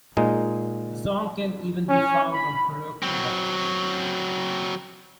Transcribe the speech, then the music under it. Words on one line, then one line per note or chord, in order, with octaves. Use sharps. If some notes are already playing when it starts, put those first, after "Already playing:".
The song can even be found on karaoke boxes.
A#2 G#3 D#4
C#4
B5
F#3 C4